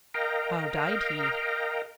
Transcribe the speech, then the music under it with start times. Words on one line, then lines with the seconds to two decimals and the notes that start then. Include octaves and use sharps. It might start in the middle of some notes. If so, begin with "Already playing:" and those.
"How died he?"
0.14 A#4 D#5 F5 G5 A#5